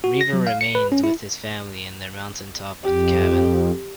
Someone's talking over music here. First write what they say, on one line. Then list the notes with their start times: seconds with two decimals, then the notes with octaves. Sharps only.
Weaver remained with his family in their mountain top cabin.
0.04 F#4
0.21 A#6
0.33 F#3
0.47 F5
0.61 C#7
0.75 B4
0.92 C#4
1.04 E4
2.83 F2 G4